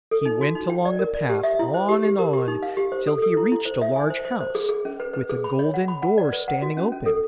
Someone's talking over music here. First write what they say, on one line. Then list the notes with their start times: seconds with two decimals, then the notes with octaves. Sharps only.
He went along the path, on and on, till he reached a large house, with a golden door standing open.
0.11 A4
0.25 D#4
0.41 F#4
0.55 D#4
0.70 G5
0.85 D5
0.99 A#4
1.14 D5
1.29 G4
1.43 E5
1.59 E4
1.74 C5
1.88 G4
2.03 G4
2.19 A#4
2.33 G4
2.48 D#4
2.63 F5
2.77 G4
2.92 C5
3.07 A4
3.22 A4
3.37 E4
3.52 E4
3.65 C5
3.81 E5
3.96 G#5
4.10 C5
4.25 C5
4.40 C5
4.55 G#4
4.69 G#4
4.85 C#4
5.00 B4
5.13 B4
5.29 G#4
5.44 B5
5.59 C#5
5.74 F#5
5.88 B5
6.02 F#5
6.18 D5
6.33 B4
6.48 F#5
6.62 F#4
6.77 C#4
6.92 C#4
7.06 A4